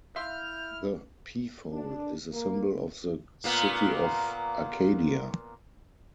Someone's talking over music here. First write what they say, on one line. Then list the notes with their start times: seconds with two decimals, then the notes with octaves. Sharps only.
The peafowl is a symbol of the city of Arcadia.
0.16 E4 E5 F5 C6 F6 G6
1.72 D4
2.33 A#3
3.44 A#2 A#3 B3